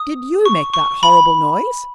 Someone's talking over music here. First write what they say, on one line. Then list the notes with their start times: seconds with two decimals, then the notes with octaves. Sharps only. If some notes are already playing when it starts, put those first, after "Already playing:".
"Did you make that horrible noise?"
Already playing: D#6
0.45 C#6
0.74 C#6
1.03 B5